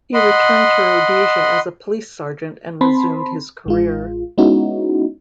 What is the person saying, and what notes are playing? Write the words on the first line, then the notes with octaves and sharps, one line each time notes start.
He returned to Rhodesia as a police sergeant, and resumed his career.
D#5 F#5 B5 C6
C4 A5 B5 C6
A1 G#3 F4
G#3 B3 C#4 D#4 E4 F#4